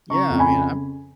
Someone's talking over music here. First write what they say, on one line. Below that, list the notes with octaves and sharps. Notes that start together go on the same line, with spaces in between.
Yeah, I mean, I'm
C#3 A#5 C#6
F2
G#5 B5
C#3